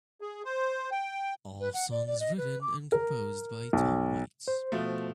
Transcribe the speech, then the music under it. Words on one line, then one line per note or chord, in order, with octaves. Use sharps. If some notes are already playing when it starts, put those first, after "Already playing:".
All songs written and composed by Tom Waits.
G#4
C5
G5
B4
F#5
D5
D5
D#5
B4
D6
A#4
B1
C5
B2 F3 A3